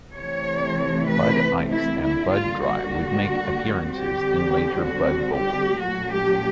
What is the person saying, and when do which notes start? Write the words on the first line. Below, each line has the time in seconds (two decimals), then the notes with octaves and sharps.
Bud Ice and Bud Dry would make appearances in later Bud Bowls.
0.14 C3 E3 A3 C4 C#5
1.08 B4
1.71 E4
2.02 D3 G3 A#3 E4
2.33 F4
2.64 F#4
3.91 D3 G3 C4 G4
4.85 F#4
5.32 G4
5.79 A#2 F#3 A3 C#4 F#4
6.10 G4